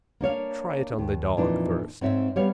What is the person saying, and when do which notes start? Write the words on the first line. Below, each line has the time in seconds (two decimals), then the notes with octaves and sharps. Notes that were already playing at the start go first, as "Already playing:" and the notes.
Try it on the dog first.
0.21 A#3 D4 C#5 F5
0.99 D#2
1.37 F2 A#2 E3 D4 D#4
2.01 G#2 C4 C#5 E5
2.36 G3 B3 C#5 F5